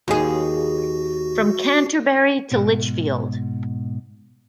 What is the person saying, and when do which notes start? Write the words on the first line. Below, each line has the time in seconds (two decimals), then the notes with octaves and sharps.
"From Canterbury to Lichfield".
0.08 D#2 F#4 G#4
2.52 G#2 B2